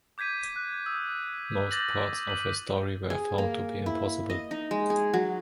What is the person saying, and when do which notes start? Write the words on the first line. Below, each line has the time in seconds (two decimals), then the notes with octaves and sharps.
Most parts of his story were found to be impossible.
0.18 D6 G6 G#6 B6 D#7
0.56 F#6
0.86 D#6 E6
1.71 D6 G6 A6 A#6 F#7
2.28 B6 D#7 F#7
3.10 G#4
3.38 A#3
3.86 E4
4.30 D#5
4.51 D#4
4.71 G#3
4.90 G#4
5.14 F#3